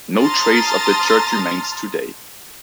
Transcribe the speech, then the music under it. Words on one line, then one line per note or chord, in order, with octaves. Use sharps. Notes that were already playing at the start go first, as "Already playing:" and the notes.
No trace of the church remains today.
A5 A#5 C6 D#6 F6 A6